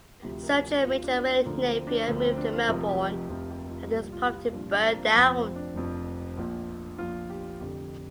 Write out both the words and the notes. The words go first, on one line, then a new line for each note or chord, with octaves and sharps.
Sergeant-Major William Napier moved to Melbourne after his property burnt down.
D2 C3 F3 G4
A#4
G4
D2 C3 F3 F4
D4
C4
D2 D3 F3 A#3
C4
D4
D2 D3 F3 C4
C4
D4
F4
F1 F2 C3 F3 A#4
G4
G4
F1 F2 C3 F3 F4
G4
F4
C2 A#2 F3 G4
F4
G4
F4
C2 A#2 F3 D4
F4
D4
C4
A#3
A#3
F1 F2 F3 C4
C4
D4
F1 F2 F3
A#1 A#2 F3
A#1 A#2 F3 F4
G4
F1 F2 D3 G4